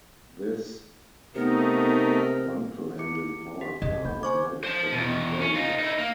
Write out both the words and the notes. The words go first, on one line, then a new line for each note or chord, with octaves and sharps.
This Wankel engine-powered car was noted for being very loud.
C3 A3 B3 D#4 A#4
E4 D6 C#7
G4 B6
C#3 D#5
A#3 B5 G6
C5 G#5 C#6 D6 G#6
C5 A5
E2 B2
C#4
D#4 F4
D#4 E4
A#3